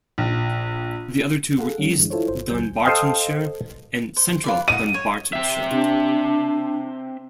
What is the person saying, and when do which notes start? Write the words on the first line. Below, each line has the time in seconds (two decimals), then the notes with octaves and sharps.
The other two were East Dunbartonshire and Central Dunbartonshire.
0.18 A#1
1.59 G#4 A4 F5 F#5
1.79 G3 C#4
1.98 F#2 D3 E3 G#3
2.10 E4 F4 A4 C5 C#5
2.28 G1 C5
2.51 C#2 F#3 G#5 G6
2.84 A4 C5 D#5 F5 G5
4.16 C5
4.44 F4 B4 D5
4.68 D#5 F5 F#5 D#7
4.94 C#5
5.33 C4 E5
5.71 C3 D4